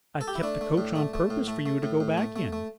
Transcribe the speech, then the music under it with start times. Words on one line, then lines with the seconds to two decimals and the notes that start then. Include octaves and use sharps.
I've kept the coach on purpose for you to go back in.'
0.21 A4
0.28 G4
0.35 E4
0.43 A3 D4
0.61 A3
0.78 A2
0.96 A3
1.14 A3
1.30 A2
1.48 A3
1.66 A3
1.83 A2
2.00 A2
2.18 A3
2.36 A3
2.53 A3